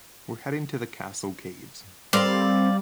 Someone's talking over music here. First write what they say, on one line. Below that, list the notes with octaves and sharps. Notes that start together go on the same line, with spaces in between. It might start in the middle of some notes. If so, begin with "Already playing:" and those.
We’re heading to the castle caves.
G3 C4 A#4 C5 D5 F5